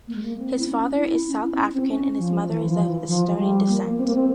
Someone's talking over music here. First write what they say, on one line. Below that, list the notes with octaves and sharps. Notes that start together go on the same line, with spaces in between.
His father is South African and his mother is of Estonian descent.
A#3
G#3
A#3
C4
E4
C#4
E4
C#4
E4
C4
C#4
C4
C#4
F3
E3
F3
E3
E3
F3
F3
G3
A#3
C4
A#3
C4